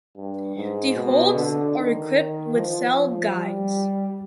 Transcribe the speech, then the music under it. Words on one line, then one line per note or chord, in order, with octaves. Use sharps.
The holds are equipped with cell guides.
G2
G#2
B2
D3
D#3
F3
G3